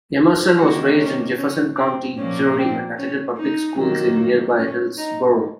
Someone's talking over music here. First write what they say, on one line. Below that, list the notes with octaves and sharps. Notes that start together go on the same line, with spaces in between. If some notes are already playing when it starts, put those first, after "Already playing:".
Emerson was raised in Jefferson County, Missouri and attended public schools in nearby Hillsboro.
D#3 A#3 F#4
C#4
C#4
C4
A#2 F3 A#3 C#4
C4
C#4
D#4
D#3 F#3 A#3
C#4
D#4